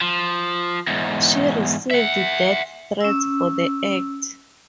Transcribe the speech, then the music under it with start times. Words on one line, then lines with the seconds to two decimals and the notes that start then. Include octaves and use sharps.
She received death threats for the act.
0.01 F3
0.87 E2 G#2
1.91 E5 F#5
3.01 C#4 E6